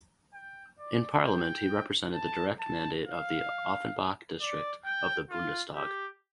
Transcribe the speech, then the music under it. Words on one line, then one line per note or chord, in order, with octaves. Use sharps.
In parliament he represented the direct mandate of the Offenbach district of the Bundestag.
G5
D5
G5
A5
A5
F5
D5
G5
F4
G4